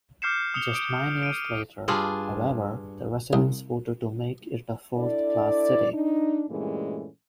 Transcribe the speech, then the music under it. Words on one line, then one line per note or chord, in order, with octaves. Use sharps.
Just nine years later, however, the residents voted to make it a fourth-class city.
D6 F6 G6 C7 C#7 E7
D#6 C#7 F7 G7
D#6 D7
D7 D#7
G2 D4 F4 G#4
C2
D4 E4 A4 D5
D4 D#4
G2 A#2 E3 G#3 A3 C#4